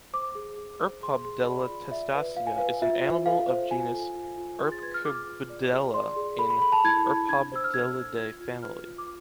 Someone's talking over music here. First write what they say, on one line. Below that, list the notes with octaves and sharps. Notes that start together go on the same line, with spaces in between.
Erpobdella testacea is an animal of genus Erpqbdella in Erpobdellidae family.
C5 D6
G#4
G#4
C5
G#4 C6
G#4
D5 B5
F4
D5 E5
B4
F4 F5
G#5
B4 F5
F4 E5
C5
A4 F5
C5
F4 G#5
A4
F4
F4
G#4 C6
A6
B4 G#6
F6
G#4 D6
F4
D5
G#4
D5 C6
G#4
A4 B5
B5
A4 B5
A5
E4 G#6
E4
D4 G#6
C5 E6
F6
A4 G#6
C5
F4 G#6
F4
B4 F6
F4
D6